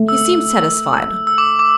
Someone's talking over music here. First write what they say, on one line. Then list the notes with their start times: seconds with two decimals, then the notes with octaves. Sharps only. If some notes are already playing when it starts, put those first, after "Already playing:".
He seemed satisfied.
Already playing: A3
0.08 E6
1.27 E6
1.38 D6
1.59 D6